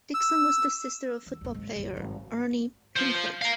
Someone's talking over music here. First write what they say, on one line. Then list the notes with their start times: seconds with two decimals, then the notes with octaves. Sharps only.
Dixon was the sister of football player Erny Pinckert.
0.14 E6
1.26 E2
1.41 A#1 E2
1.54 G#2
1.76 A#1 F#2
1.97 G#1 G2
2.96 F4 C5
3.42 F5 A#5